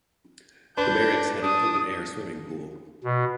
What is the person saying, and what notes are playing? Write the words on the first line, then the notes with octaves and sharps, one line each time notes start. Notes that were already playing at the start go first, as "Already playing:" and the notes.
The barracks had an open-air swimming pool.
D4 B4 G6
D4 D#6
B2